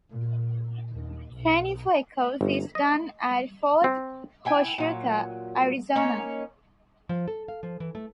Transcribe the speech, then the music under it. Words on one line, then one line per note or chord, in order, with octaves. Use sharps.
Training for "Echoes" is done at Fort Huachuca, Arizona.
A#2
D#2
B1
G1
D#5
C4
E4 G5 G#5
A#2 F#3
A#3 C#4 D#4 C#5
F3
A4
F5
F3
E3
A3